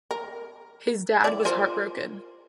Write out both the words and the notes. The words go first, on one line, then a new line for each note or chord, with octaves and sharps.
His dad was heartbroken.
A#4
E4 D5
F4 A#4 C5